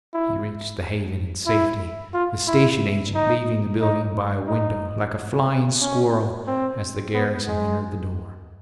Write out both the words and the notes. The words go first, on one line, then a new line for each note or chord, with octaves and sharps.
He reached the haven in safety, the station agent leaving the building by a window, like a flying squirrel, as the garrison entered the door.
E4
E4
F4
E4
D#4
D#4
D#4
C#4
C4
B3
G#3